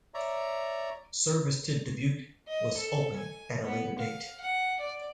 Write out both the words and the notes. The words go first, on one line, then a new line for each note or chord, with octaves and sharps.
Service to Dubuque was to open at a later date.
C#5 D5 E5 A#5
D#5
A4
G#5
B3
F5
F#5
D5